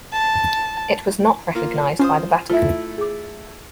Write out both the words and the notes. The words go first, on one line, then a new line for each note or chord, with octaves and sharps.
It was not recognized by the Vatican.
A5
A#3 F4
C#4 F4 C5 D#6
A3 E4 F4 E5
G#4 D6